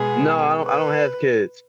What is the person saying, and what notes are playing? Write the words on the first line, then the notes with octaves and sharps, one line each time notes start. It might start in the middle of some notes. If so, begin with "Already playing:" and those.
No, I don't I don't have kids.
Already playing: B2 G#3 B3 G#4
B4